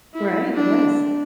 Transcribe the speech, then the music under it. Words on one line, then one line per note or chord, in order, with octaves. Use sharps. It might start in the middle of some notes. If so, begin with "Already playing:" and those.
Right, yes.
E4
D4